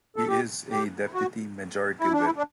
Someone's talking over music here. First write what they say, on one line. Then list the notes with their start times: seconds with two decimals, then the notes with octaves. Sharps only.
He is a Deputy Majority Whip.
0.16 A4
0.28 G4
0.71 G4
1.14 F#4
2.00 E4
2.13 D4
2.26 E4
2.36 D4